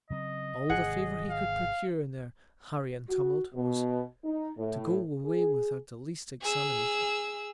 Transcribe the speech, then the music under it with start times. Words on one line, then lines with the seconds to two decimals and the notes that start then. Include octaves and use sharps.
All the Favour he could procure, in their Hurry and Tumult, was, to go away without the least Examination.
0.10 C#3 F#3 C4 D#5
0.69 G#1 C3 D#3 G#4 F#5
1.31 F5
3.10 F#4
3.53 B2
4.24 D#4
4.57 A2
5.24 G#4
6.42 G#4 E6